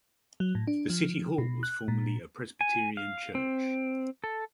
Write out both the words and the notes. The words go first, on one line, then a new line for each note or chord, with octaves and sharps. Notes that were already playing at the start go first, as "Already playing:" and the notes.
The City Hall was formerly a Presbyterian Church.
F#3
A2
D4
F3
B2
F#6
A#2
G#5
F5
C4
A4